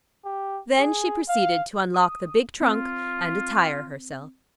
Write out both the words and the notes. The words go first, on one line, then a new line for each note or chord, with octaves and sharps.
Then she proceeded to unlock the big trunk, and attire herself.
G4
G#4
F5
D#6
C4 F4